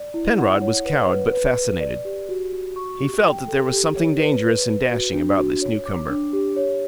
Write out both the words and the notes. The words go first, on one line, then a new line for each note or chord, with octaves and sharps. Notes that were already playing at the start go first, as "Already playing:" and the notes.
Penrod was cowed but fascinated: he felt that there was something dangerous and dashing about this newcomer.
Already playing: D5
E4
F#5
C#5
B4
B4
B4
B4
D5
G4
F#4
F#4
C#6
G4
G5
A4
G4
C#5
B4
B4
B4
F#4
D4
F#4
C#5
D6
D4
G4
C#5